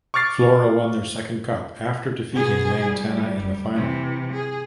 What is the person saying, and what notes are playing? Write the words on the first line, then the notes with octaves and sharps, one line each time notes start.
Flora won their second cup after defeating Lantana in the final.
C#6 D6 F6 A6 C7
B2 G#4
G3
C3 E3
G#4